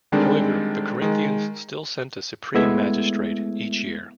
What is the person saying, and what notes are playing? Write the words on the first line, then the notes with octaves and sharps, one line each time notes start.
However, the Corinthians still sent a supreme magistrate each year.
D3 D#3 G3 G#3 C4 D4
D#3 G#3
G#3 A3 B3 E4 E5 G#6